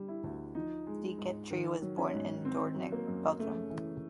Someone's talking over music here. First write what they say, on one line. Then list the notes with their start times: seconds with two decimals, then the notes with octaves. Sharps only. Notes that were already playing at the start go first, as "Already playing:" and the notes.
De Geyter was born in Doornik, Belgium.
Already playing: D3 G3
0.08 E4
0.24 D2
0.55 F3 D#4
0.87 G#3
1.18 G#2
1.50 D#3
1.82 F#3
1.97 C#4
2.13 G#2
2.44 D#3 C4
2.76 F#3
2.92 A#3
3.07 F#2
3.39 C#3 A3
3.70 E3